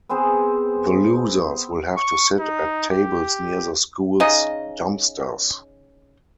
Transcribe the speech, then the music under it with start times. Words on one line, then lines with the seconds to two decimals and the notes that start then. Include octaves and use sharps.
The losers will have to sit at tables near the school's dumpsters.
0.09 B3 C4 G#4 C5
1.97 C#6
2.40 D#4
2.90 G4
4.20 C#3 D#4 D#5